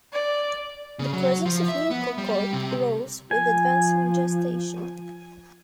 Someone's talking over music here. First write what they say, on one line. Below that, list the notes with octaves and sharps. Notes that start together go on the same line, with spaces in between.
The presence of nuchal cord rose with advancing gestation.
D5
C#3
F#3
F3
E5
B3
G3
C3
F3 G#5